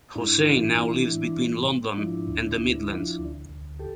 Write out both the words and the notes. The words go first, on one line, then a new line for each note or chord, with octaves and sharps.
Hossain now lives between London and the Midlands.
G#2 D4 E4
E3
E3
E3
G#2
G#2
F3 D4 E4
D2
D2
F3
D2
D2
G4 A4